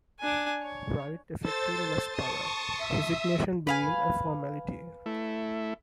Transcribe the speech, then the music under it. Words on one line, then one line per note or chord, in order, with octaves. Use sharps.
Wright effectively lost power, the resignation being a formality.
D4 G#5
C#5
A4 C5 E6 A6
A5 C6 C#6 D#6
E5
B4 F5 G#5
A3 E4